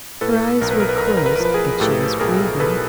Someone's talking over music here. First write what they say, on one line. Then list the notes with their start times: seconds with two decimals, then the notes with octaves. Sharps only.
Her eyes were closed, but she was breathing.
0.21 A2 A4 B4
0.61 B1 A#4
0.71 B4
0.80 A#4
0.89 B4
0.98 B1 A#4
1.08 B4
1.17 A#4
1.26 B4
1.36 A#4
1.40 F3 B4
1.54 G#4 A#4
1.80 A2 G4 A4
2.20 B1 G#4 A#4
2.60 B1 A4 B4